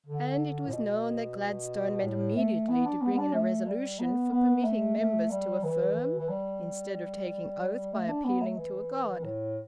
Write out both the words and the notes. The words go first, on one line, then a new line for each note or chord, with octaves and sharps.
And it was known that Gladstone meant immediately to bring in a resolution for permitting members to affirm, instead of taking oath by appealing to a God.
D3
A2
B2
A2
A3
B3
D4
B3
B3
D4
A3
G3
B3
B3
A3
A3
G3
E3
E3
E3
G3
A3
D4
B3
A3
E3
A2